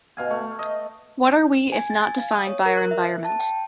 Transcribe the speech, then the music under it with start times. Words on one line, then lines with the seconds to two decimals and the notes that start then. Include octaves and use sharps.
What are we if not defined by our environment?
0.17 B2 F5 G#5
0.30 A3
0.59 D#5
1.72 G#5
1.90 A6
2.03 G#5
2.18 F5
2.31 D#6
2.47 C#5
2.66 A#4
2.77 F#6
2.91 E5
3.25 A5
3.39 G5